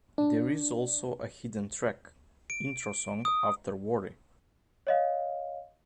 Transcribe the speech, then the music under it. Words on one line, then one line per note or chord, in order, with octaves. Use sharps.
There is also a hidden track, "Intro Song", after "Worry".
D4
D7
D#6
C#5 D#5 F5